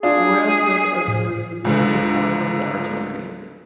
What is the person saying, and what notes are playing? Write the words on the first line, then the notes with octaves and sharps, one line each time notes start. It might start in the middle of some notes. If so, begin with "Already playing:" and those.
The Royal Field Artillery was the largest arm of the artillery.
D4 F4 G#4
A2
C#2 G#2 D3